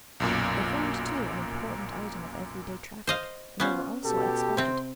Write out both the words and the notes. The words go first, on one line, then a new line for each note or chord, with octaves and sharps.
They formed, too, an important item of everyday traffic, and they were also exported.
B1 F#2 A#2
C5 D#5 F5
B3 C#4 F4 C5
B2 G4 A4
C3 C4 C5